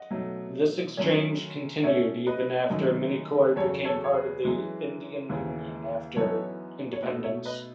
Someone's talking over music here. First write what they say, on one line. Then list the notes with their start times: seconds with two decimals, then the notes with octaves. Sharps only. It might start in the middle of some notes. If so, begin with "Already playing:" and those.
This exchange continued even after Minicoy became part of the Indian Union after independence.
Already playing: D#5 F#5
0.11 B2 F#3 A3 D#4
0.97 F#2 D#3 A3 C#4
1.83 B2 A3 C#4 C#5 E5
2.27 B4 D#5
2.70 F#2 D#3 A3 D#4
3.56 E2 C#3 F#3 A4 C#5
3.85 A4 C#5
4.04 C#5
4.14 G#4 B4
4.43 F#2 E3 G#3
5.29 D#2 C#3 E3
6.16 F#2 E3 B3 D#4 A4 C#5
6.93 C#5
7.02 B2 A3 D#4 B4 D#5
7.24 C#5 E5
7.45 B4 D#5